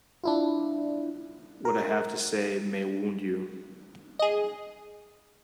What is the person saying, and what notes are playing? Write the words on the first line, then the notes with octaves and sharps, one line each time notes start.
What I have to say may wound you.
D4 E4 F4
A#4
G#4 D#5